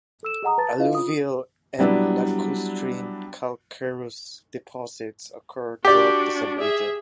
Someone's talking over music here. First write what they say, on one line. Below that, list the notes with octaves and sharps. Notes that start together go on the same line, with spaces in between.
Alluvial and lacustrine calcareous deposits occur throughout the subregion.
A4 E6 E7
G#4 D#5 F#5 A#5 D#6
B4 A5 A6
E4 F4 B4 D#5 F5
F4 D#6
F#3 G3 B3 D4 E4
D4 F#4 G4 D5
G#4 E5